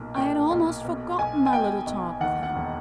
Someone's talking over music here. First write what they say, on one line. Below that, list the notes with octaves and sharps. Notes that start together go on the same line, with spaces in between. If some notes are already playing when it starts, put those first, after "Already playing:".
I had almost forgotten my little talk with him.
Already playing: B1 A#2
A#2 G5
B1
B2
B1 G#5
G#5
B2 G5
B1
D#2 F#5
F#5
E1